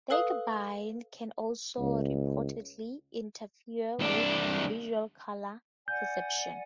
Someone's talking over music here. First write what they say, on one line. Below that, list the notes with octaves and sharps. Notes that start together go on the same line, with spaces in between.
Tiagabine can also reportedly interfere with visual color perception.
A4 B4 F5 D#6
C#2
C2 D4
D5 F#5 G#5 G6